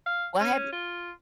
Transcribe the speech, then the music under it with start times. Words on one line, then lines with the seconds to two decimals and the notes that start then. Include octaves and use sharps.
Well, have y
0.06 F5
0.40 C#4
0.72 F4